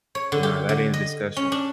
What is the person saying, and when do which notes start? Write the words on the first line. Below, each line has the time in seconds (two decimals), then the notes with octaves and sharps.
But nah, that ain't a discussion.
0.15 C#5
0.32 D3
0.43 G4
0.69 D3
0.94 D#5
1.36 C#4
1.52 D4